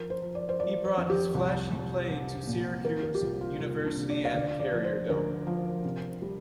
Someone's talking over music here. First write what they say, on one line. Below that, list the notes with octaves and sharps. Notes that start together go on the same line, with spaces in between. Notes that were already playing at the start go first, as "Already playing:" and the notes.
He brought his flashy play to Syracuse University and the Carrier Dome.
Already playing: F3 A#4
C5
F3
D5
C5
F3 D5
C5
F2
G4
C2
C2
C2
A#2
C3 A#4
A#4
G4
C2 F4
F4
C2 F4
D4
C3
D5
F5
D2 D5
D5
F3
C5
D2 A#4
F3
C3
G3